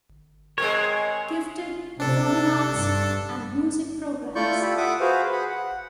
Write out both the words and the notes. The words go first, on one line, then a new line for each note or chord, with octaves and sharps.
Gifted, Performing Arts, and Music Programs.
G#3 C4 A#4 C#5
C3 D4 A4
G2
A3 E4 F4 D5 C#6 G6
F4 G4 A4 B5
E5 F#5 D6 D#6
F#4 G#4 B4 C5 F5
G#4 F#5 B5
F#5